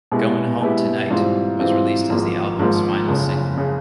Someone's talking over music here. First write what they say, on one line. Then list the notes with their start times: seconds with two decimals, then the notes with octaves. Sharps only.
"Goin' Home Tonight" was released as the album's final single.
0.12 B2 G#3 B3 E4 G4
0.61 B2 G#3 B3 E4 G4
1.10 G#2 E3 G3 C4 F4
1.59 G#2 E3 G3 C4 F4
2.09 G#1 G#2 F3 A#3
2.59 G#1 G#2 F3 A#3
3.08 F#1 F2 C#3
3.57 C#3